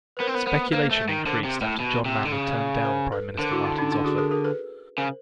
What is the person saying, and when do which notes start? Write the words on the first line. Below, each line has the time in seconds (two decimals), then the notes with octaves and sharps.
Speculation increased after John Manley turned down Prime Minister Martin's offer.
0.17 B4
0.20 B3 A#4 C5
0.27 C4
0.34 B3 A#4 C5
0.46 B3 A#4 C5
0.67 B4
0.73 A#3 A#4 C5
0.91 A3
1.09 D#3
1.26 D3 A#4 C5
1.44 C3
1.61 A2
1.80 B2
2.05 C3
2.25 D3
2.32 C#3
2.85 A#4 C5
3.12 A4 B4
3.38 D3 A#4 C5
3.52 E4 F#4
3.65 D4 E4
3.78 C#4 D#4
3.91 D4 E4
4.05 F#4 G#4
4.18 G#4 A#4
4.31 G#4 A#4
4.44 A4 B4
4.97 C#3 A#4 C5